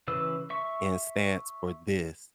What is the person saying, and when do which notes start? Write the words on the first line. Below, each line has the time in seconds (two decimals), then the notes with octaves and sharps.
and stance for this."
0.08 C#3 E3 B4 E6
0.50 E5 C#6